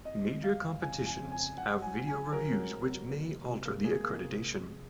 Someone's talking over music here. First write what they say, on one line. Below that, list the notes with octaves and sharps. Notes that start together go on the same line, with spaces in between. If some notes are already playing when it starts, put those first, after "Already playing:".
Major competitions have video reviews which may alter the accreditation.
C4 D#5
G#3
F2 F5
F2
C#3 G#5
F2
G#5
C#3
G#5
C4
F#3 F#5
F#3
G#5
F4
G#5
G#4
F#3 A#4
F#3
C4
F#3
A#3
C3
C3
A#3
A#3 G#4
A#3
C3
C3
F3